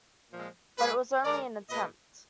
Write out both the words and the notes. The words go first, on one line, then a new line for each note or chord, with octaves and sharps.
But it was only an attempt.
A#2 F3 G#3
A#2 G#3 G#4 B4
D3 G#3 A#4 D5
A#2 G#3 B4 D#5